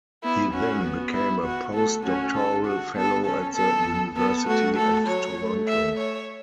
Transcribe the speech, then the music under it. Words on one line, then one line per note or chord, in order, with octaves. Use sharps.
He then became a post-doctoral fellow at the University of Toronto.
B3 E4
C#4 F#4
B3
E4
F#4
A3 A4
C#4 F#4
A4
F#4
B3 A4
C#4 A4
B3 A4
B3 A4
A3 F#4
A3 A4
F#3 C#5
A3
E5
C#5